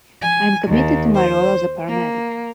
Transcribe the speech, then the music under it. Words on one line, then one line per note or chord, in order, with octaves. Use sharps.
I am committed to my role as a paramedic.
G#5
D#2
C5
A#3